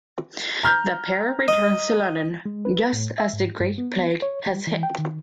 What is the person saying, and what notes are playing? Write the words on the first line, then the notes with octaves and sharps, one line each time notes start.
The pair returns to London just as the Great Plague has hit.
A#5 F6 G6
D#5
G#3
B4
A2
E5
G#2
G2
B3
C#5
G3
E3
G5
D#3